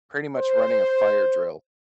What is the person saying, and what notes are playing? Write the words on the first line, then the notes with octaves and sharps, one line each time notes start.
pretty much running a fire drill,
C5